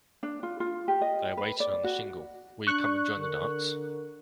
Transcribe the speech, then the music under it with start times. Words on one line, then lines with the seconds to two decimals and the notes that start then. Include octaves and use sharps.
They are waiting on the shingle—will you come and join the dance?
0.23 D4
0.43 F4
0.60 F4
0.88 G4
1.01 D#5
1.37 B4
1.60 D5
1.84 F#4
2.67 D4 C#6 F#6
3.18 D3 A#4